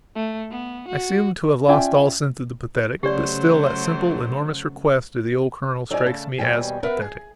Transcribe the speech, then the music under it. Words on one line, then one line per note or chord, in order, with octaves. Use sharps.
I seem to have lost all sense of the pathetic; but still, that simple, enormous request of the old colonel strikes me as pathetic.
A3
B3
F#4
C#4 F4 D5 E5 G5 G#5
C#3 F#3 A3 C#4 G4 C5 D5
F#3 C4 D#4 E4 D5 G#5
C#3 A3 A5
D#2 B2 G3 G5 G#5
B3 A#4 B4 E5 F#5
G#4